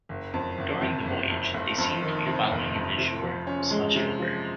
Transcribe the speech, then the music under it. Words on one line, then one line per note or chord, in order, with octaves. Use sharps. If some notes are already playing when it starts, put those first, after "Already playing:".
During the voyage, they seem to be following an azure celestial bird.
F#1
F2
F#1
C3
F#1
F2
F1
F2
D#3
C3
F1
F2
C3
F3
C#4
G#3
C3
F3